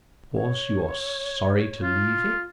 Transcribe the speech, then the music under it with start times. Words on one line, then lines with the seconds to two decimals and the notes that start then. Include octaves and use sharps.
"Because you are sorry to leave it?"
0.34 C#5
1.82 F4